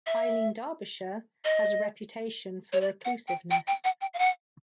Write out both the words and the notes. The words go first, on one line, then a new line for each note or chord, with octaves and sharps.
Eileen Derbyshire has a reputation for reclusiveness.
E5
D#5
C#5
D5
F#5
G5
G5
G5
F#5
G5
F5
F#5